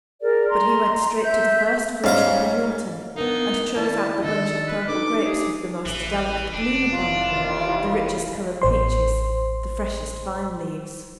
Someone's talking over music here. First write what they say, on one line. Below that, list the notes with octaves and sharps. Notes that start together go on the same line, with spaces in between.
But he went straight to the first fruit-shop in Milton, and chose out the bunch of purple grapes with the most delicate bloom upon them,--the richest-coloured peaches,--the freshest vine-leaves.
G#4 A#4 D5
A#5 C6
E5 G6
G#2 G3 C#4 F5 A#5
B3 D4 D#4 A#4 F5
D#3 E4 D5 A5
D#3 D4 A4 D#5
B4
D4 D#4 A4 B4 D6
G4 G#4
A1 E3
F1 D4
E4 F4
D#2 E3
A1 C5 C6